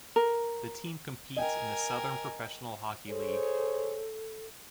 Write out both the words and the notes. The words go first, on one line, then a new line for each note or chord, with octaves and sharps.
The team competes in the Southern Professional Hockey League.
A#4
A#4 D#5 G5 G#5
G#4 A4 C5 C#5